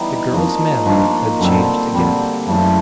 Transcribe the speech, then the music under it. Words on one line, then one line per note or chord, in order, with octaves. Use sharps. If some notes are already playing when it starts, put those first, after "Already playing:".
The girl's manner had changed again.
Already playing: E3 G3 B3 D#4
F2 F3 A#3 D#4 F#4
G2 F3 A#3 D#4 F#4
F#2 D3 G3 C4
F2 D3 G3 C4
F#2 C#3 E3 A3 C4